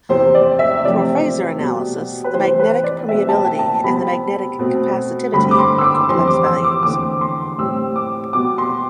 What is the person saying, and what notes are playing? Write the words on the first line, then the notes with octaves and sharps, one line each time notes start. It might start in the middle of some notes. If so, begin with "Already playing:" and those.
For phasor analysis, the magnetic permeability and the magnetic capacitivity are complex values.
E2 C3 E3 C5
D5
E5
C3 F3 A3 C4 D5
B2 G3 B3
B4
C3 E3 A3 C5
C5
B4
D5
B2 A3 C4 E5
A5
G5
A5
C3 G3 B3 B5
B2 A3 C4
G2 D3 A3 C4 B5
D6
C6
E6
D6
F2 E3 G3 C4 C6
D6
E6
D6
E2 D3 A3 C4 D6
C6
A2 G3 C4 E6
D6
B2 G3 B3 D6
C6